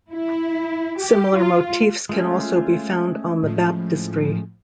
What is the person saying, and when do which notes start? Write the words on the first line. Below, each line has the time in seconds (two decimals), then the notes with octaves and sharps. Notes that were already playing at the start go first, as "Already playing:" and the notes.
Similar motifs can also be found on the baptistery.
0.10 E4
1.00 G4
1.37 F4
2.09 G#3 A3 C#4 F4
3.43 A2 F3